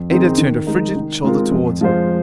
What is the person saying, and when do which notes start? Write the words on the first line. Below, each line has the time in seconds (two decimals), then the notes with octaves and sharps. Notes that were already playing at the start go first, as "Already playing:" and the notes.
Ada turned a frigid shoulder towards him.
Already playing: F2
0.10 D#3 C4 D#4 G#4
0.38 D#3
0.67 G#3 D#4
0.96 D#3
1.24 G#3 C4 F4 A#4
1.52 F2
1.81 F3 G#3 F4 C5